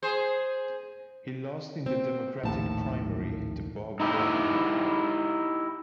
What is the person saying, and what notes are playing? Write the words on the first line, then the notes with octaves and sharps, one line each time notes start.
He lost in the Democratic primary to Bob Graham.
G#4 C5
C4
A#1 D#2 A2 A5
D#4 E4 G4